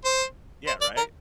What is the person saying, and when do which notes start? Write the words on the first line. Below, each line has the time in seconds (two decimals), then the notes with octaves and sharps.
Yeah, right?
0.05 C5
0.67 C5
0.82 D5
0.97 A#4